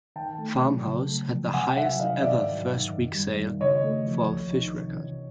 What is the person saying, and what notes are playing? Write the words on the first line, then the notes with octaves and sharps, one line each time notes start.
"Farmhouse" had the highest-ever first week sales for a Phish record.
D#3 G5 A5
A3
F#3
C#3
A3
F3
C3 F#5 G#5
F#3 E5 F#5
D#3 D#5 F5
G#2 D5 E5
F#3
D#3
F#2
G3
D#3
C#3 C#5 D#5
A3
F3
C2
D#3
C3
E3